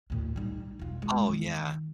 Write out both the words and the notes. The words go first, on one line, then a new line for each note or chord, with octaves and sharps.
Oh, yeah.
D2 A2
G3 D#4
E1 F4
G#3
D#3